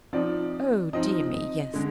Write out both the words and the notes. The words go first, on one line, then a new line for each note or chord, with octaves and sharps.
Oh dear me yes.
F3 C4 D#4 D5
F3 C4 D#4 D#5
D3 G#3